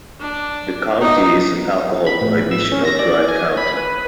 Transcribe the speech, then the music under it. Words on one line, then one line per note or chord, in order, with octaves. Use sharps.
The county is an alcohol prohibition or dry county.
D4
D#4
B5
A2
E6
C#4
A#6
D5
G#5
B5
B4